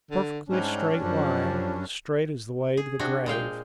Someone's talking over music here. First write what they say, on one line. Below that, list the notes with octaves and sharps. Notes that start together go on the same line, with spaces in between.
Perfectly straight line-straight as the way to the grave.
D3
G#2 G3 C#4 D4
F#2 F3
G#4
C3 D4 F#4
A#2 G#3 F5 G5